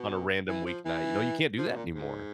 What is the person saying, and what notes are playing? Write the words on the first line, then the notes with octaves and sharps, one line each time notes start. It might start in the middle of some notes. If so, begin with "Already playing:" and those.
on a random weeknight, you know, you can't do that anymore.
Already playing: B2
E3
F3
E3
F3
B2
A#2
G#2